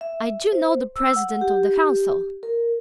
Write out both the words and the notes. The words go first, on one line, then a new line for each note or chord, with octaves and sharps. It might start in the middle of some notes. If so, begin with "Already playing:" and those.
I DO know the President of the Council.
E5
C5
E6
F#5
G4
A#4